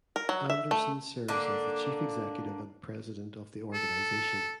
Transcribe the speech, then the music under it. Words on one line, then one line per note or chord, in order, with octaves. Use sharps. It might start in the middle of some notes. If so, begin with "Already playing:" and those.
Anderson serves as the Chief Executive and President of the organization.
A#4
F#3
E5
A3
D3 A#3 D4
A4